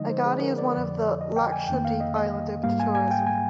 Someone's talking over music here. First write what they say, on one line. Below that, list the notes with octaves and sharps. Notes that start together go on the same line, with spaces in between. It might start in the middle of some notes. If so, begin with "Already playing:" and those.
Agatti is one of the Lakshadweep islands open to tourism.
Already playing: D3 F3 G#3 D#4 D#5
C5
G#4
A#4
D5
F2 D3 F3 D5
D#5
G5
G#5
F2 D#3 A#3 G5
F5
D#5
D#5
G#2 G3 A#3 F5
G#5
G#5
G5
G#5